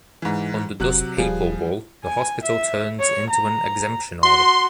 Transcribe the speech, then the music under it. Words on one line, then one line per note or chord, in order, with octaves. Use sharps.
Under thus papal bull, the Hospital turns into an exemption Order.
G#2 E3
F1 C3 F#3 F#6
D#1 F3 G3 G#4
G#5
E5
C#5
A#5
F#4 C6